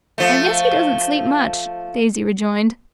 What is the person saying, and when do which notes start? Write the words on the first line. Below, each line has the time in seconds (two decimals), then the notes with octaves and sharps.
"I guess he doesn't sleep much," Daisy rejoined.
0.18 F3 A3